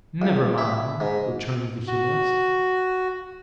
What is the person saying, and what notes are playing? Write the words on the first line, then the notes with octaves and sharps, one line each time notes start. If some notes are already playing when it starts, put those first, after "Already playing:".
"Never mind," returned the humorist.
C#2
E4
G#2
F#4